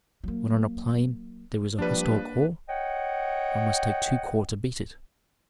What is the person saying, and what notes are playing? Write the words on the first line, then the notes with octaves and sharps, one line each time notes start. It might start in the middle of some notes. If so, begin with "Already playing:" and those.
When on a plain there is a hostile corps, I must take two corps to beat it.
F#3 A#3
F3 G3 A#3 D4 B4
C#5 D#5 F#5 G5